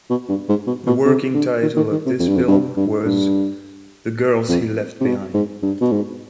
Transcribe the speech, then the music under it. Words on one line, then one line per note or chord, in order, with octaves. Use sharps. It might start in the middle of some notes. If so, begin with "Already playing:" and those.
The working title of this film was "The Girls He Left Behind".
B2
G2
G#2
B2
B2
C3
D3
D#3
D#3
D#3
C3
F2
G2
F2
G2
G2
G2
F2
C3
B2
G#2
G2
B2
G#2